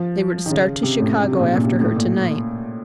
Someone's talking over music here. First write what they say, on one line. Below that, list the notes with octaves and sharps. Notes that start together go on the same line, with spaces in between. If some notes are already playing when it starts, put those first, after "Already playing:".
They were to start to Chicago after her to-night.
Already playing: F3
D#3
C#3
C3
A2
C3
C#3
A#2
C3
A#2
C3
A#2
A2
A#2